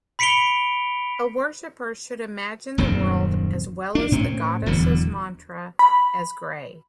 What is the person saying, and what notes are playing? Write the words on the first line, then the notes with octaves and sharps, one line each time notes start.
A worshipper should imagine the world as well as the goddess's mantra as grey.
B5 B6 C#7 D7 F7 G7
D#1 F#2 D#3 C4
D4
A2 C4 C#4
D#1 E2 D3 F#3
B5